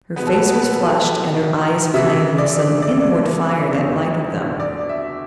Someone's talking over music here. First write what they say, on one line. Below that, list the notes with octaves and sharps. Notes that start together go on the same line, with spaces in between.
Her face was flushed and her eyes flamed with some inward fire that lighted them.
B2 G#3 B3 B4
A4
B4
B4
A4
C#3 E3 G#3 E5
D5
D5
E2 D3 A3
D5
E5